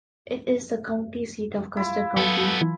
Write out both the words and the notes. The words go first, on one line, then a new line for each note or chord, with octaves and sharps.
It is the county seat of Custer County.
E4 F4
F#3 B3 A4
E3